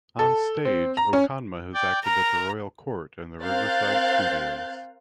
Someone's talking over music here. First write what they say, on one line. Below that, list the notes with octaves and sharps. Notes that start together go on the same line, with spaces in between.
On stage, Okonma has acted at the Royal Court and the Riverside Studios.
A4
C4
A#5
C#4
D5 G5
A#4 A#5
C4 A#4 F5 F#6 G6 A6